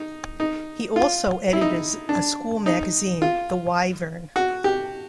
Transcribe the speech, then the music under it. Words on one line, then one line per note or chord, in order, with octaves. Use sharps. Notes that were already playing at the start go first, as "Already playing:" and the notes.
He also edited a school magazine, "The Wyvern".
Already playing: D#4
D#4
F4
E4
D#4
D4
D#4
F4
F#4
G4